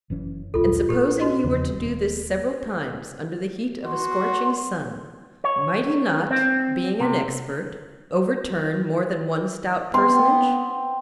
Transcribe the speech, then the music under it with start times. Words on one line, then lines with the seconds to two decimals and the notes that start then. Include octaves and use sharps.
And supposing he were to do this several times under the heat of a scorching sun, might he not, being an expert, overturn more than one stout personage?
0.10 F#1 E3 C#4
0.54 D#1 A#1 F4 A4
0.89 A#2 G4 A4 B4
1.20 F#4 D#5
1.44 E2 C#3 F3
1.72 D#1
3.84 F#4 C6
5.44 C#5
6.31 C4
7.00 C3
9.94 B3 C4 C6